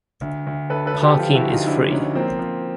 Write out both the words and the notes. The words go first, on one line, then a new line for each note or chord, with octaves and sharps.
Parking is free.
D2
D2
D2 A4 B4
A4 B4
D2
G4 A4
F3 F4 G4
E4 F#4
D2
D#4 F4
F3 D4 E4
D2 C#4 D#4
F3 A#3 C4
F3